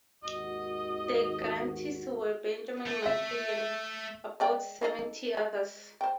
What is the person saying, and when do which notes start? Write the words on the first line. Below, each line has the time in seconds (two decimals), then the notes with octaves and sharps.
The grantees were Benjamin Mackay and about seventy others.
0.24 G#1 D#2 F#4 D#5
2.86 A3
3.06 E5
4.40 G#3 D5 G5
4.81 D#4 A4 D#5
5.37 G#3
6.01 C5 G5